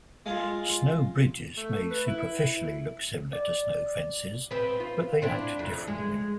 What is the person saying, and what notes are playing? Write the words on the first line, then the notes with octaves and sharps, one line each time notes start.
Snow bridges may superficially look similar to snow fences, but they act differently.
G#3 F4 F5
A3
B4
E4
D5
B3 C4 E5
F4
C4 D4 E4
F2
G#3